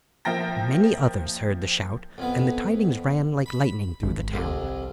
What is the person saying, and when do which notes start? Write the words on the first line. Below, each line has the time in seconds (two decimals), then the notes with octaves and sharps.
Many others heard the shout, and the tidings ran like lightning through the town.
0.25 A#2 F3 A#4 E5 G5 A#6
2.18 F2 B3
3.46 B5
4.03 G#1
4.33 C2 F2